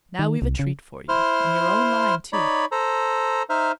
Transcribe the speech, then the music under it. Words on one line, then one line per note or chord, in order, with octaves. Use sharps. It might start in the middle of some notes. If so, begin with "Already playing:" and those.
Now we've a treat for you, in your own line, too.
D#3
C2
C#3
E4 C5 C6 F6
D#4 C#5 D5 B5
A4 C5 A#5
D#4 C5 E5 F6